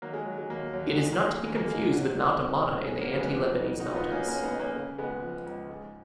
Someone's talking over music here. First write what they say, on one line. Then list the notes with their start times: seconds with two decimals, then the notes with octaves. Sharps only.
It is not to be confused with Mount Amana in the Anti-Lebanese Mountains.
0.02 D#3 F#3 A#3
0.14 G#3
0.26 D#3 F#3
0.38 G#3
0.50 D#2 F#3 A#3
0.73 D#2 F#3
0.91 F#3
0.96 D#3 G#3
1.12 F#3 A#3
1.20 D#3
1.28 G#3
1.44 D#2 G#3
1.56 A#3
1.68 D#2 G#3
1.91 B2 F#3
2.15 B2
2.38 C#2
2.62 C#2
2.85 C#3 G#3
3.01 F#3 A#3
3.10 F2
3.17 G#3 B3
3.33 F3
3.57 F2
3.80 B2 D#4 F#4
3.91 F4
3.96 B3 D#4
4.04 B2
4.11 A#3 C#4
4.27 B1 A#3 C#4
4.43 B3 D#4
4.51 B1
4.59 A#3 C#4
4.75 C#3
4.98 C#2 G#3 B3
5.22 F3
5.46 C#2
5.69 G#2